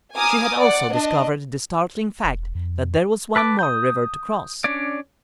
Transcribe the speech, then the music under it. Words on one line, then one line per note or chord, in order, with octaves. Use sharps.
She had also discovered the startling fact that there was one more river to cross.
G#5 A#5 D6 D#6 F6
D5 F#5
D4 D#5
E1
F2
B4 A5 D6
D#6 G6
C#4 D4 C#5 D5